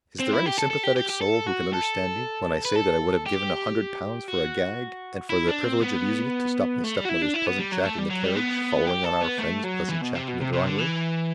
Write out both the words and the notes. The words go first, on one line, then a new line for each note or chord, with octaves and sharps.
Is there any sympathetic soul who can understand me, when I say that I would have given a hundred pounds for a gag, and for the privilege of using it to stop my stepmother's pleasant chat in the carriage, following on our friends' pleasant chat in the drawing-room?
C4
E4
G4
A4
A4
G4
G4
G4
A4
F#4
A4
B4
A4
G4
F#4
E4
D4
C4
B3
A3
G3
F#4
E4
D4
E4
B3
G3
F#3
A3
G3
F#3
G3
B3
G4
A4
B3
A3
F#3
E3
B2
C3
B2
C3
C3
D3
E3